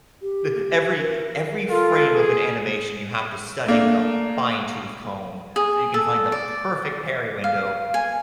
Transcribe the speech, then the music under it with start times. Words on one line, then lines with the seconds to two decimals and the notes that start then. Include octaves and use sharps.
D every every frame of an animation, you have to study with a fine tooth comb so you can find the perfect parry window,
0.22 G4
0.98 A#4
1.69 F4 A4
2.13 G#4
3.66 A3 A#3 D4
5.56 G#4
5.94 A4
6.32 D5
7.44 F5
7.94 G#5